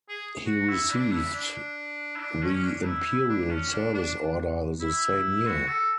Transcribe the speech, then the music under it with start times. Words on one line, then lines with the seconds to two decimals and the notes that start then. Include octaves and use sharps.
He received the Imperial Service Order the same year.
0.09 G#4
0.47 F#4
0.68 E4
0.91 D4
1.12 E4
1.34 D4
2.16 E4
2.20 D4
2.42 C#4
2.64 D4
2.86 E4
3.07 E4
3.29 D4
3.50 C#4
3.72 D4
3.94 D4
4.81 E4
5.46 F#4
5.68 A4